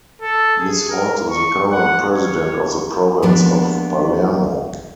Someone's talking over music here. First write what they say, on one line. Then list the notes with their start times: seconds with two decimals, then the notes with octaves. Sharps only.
He is also the current President of the Province of Palermo.
0.22 A4
0.60 G#4
0.90 A#4
1.30 C#6
1.72 F#5
2.11 C#5
3.22 F3 G#3 A#3 B3 D4